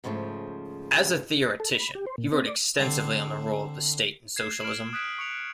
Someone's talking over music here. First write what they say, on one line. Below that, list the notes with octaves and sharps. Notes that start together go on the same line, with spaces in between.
As a theoretician, he wrote extensively on the role of the state in socialism.
G#2 C#3 F3 G3 A3
A4
B5
G4
C5
A#2
C4
D5
D3 C4
G#6 C7 E7
F6 D7 E7 F#7
D#6 F#6 G#6 B6 D7 E7
C#6 C#7 F7